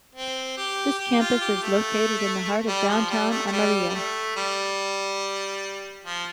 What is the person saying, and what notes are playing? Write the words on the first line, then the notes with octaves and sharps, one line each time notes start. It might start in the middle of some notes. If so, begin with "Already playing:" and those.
This campus is located in the heart of downtown Amarillo.
C4
G4
G4
F4
G4
A3
G3
F3
G3
A3
A3
G3
G3
A3
G3
F3